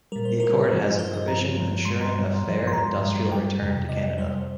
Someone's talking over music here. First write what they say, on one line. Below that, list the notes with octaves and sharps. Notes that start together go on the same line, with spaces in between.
The accord has a provision ensuring a fair industrial return to Canada.
A#2 G3 A#4
C5
A#2 G3 A#4
G2 F3
G2 F3 C5
D#5
G2 F3 A#5
G2 F3
G2 G3 C6
A#5
G2 G3
G2 F3
C6
G2 F3 A#5
G2 G3
G2 G3 G5
F2 C3 G3
F2 C3 G3 D#5
F2 C3 G3 C5